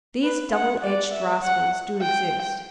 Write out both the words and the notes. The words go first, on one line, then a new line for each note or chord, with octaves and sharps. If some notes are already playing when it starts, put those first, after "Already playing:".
These double-edged rascals do exist.
B4
F#5
D5
E5
F#5
G5